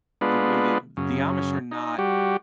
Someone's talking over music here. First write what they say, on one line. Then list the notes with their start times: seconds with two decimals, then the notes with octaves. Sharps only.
the way they the Amish are not
0.21 G#3 B3 D4 F4 B4
0.97 F#2 C#3
1.71 D#4
1.98 G3 F#4 G4